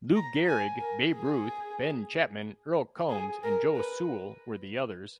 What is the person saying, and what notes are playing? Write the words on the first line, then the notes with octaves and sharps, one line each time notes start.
Lou Gehrig, Babe Ruth, Ben Chapman, Earle Combs and Joe Sewell were the others.
A#5
G#5
A#4
G#4
G#4
A#4
B4